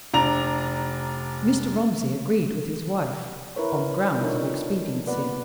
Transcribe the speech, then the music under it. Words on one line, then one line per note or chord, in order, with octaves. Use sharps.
Mr. Romsey agreed with his wife, on grounds of expediency.
F1 D4 A#5 F7
E4 A#4 B4 C#5
D4 D#4 F4 A4 A#4 C#5
A#3 B3 B4 D5 F#5